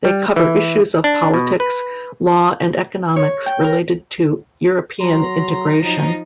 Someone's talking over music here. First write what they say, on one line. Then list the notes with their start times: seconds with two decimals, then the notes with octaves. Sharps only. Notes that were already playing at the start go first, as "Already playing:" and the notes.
They cover issues of politics, law and economics related to European integration.
0.05 G3
0.36 E3
1.04 D4
1.34 B2
1.60 B4
3.16 C#5
3.46 G5
3.64 A#4
5.01 F#3 A#5 C6
5.81 F3 F#3 D#4